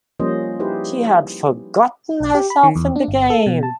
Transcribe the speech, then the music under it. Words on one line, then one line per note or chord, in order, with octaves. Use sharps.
She had forgotten herself in the game.
F3 G3 A#3 C#4 C5 D#5
D#4 E4 G4 G#4 B4 C5
B1
G4
B5
D#3
E2
D4
G1
A4
B2
A5